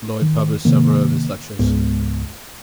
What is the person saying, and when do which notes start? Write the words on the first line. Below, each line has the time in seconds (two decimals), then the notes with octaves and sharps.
Lloyd published several of his lectures.
0.22 D#3
0.65 C3 D#3 A#3
1.59 C#2 G#2 G#3 B3